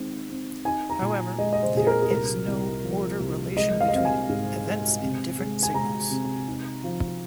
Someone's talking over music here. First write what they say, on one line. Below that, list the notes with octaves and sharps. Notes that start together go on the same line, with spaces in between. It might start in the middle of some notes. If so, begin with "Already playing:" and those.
However, there is no order relation between events in different signals.
Already playing: D#3 G#3 C4
C4
D#4 G#5
A#5
A#2
G#3 D#5
D#5
C5
A#2 G#4
A#4
G#4
C2 A#4
C2
F3
C2
G#3 D#5
F5
D#5
C4 F5
G#5
G#2
G#3
C3
G#3
G#5
G#3 A#5
C3
D#4
F3